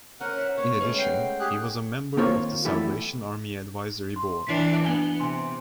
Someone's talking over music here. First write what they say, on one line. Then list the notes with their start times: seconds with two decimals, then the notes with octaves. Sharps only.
In addition, he was a member of the Salvation Army Advisory Board.
0.20 C#4 A#4 C5 F#5
0.38 E5
0.57 A#3 B3 C#5
0.81 G#3 A3 C#4 B4
0.98 F#5 G5 C7
1.40 G4 G#4 F#6
2.17 D#3 A#3 C4 F4 C5 C#5
2.65 E3 G3 A3 B3 E4
4.16 C6
4.47 E3 D4 B6 C7
4.84 B3 D4 G#5 G7
5.20 C3 G#5 C6